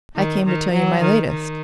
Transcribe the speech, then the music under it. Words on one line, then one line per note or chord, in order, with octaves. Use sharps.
I came to tell you my latest.
D#3
D#3
F#3
D#3
D#3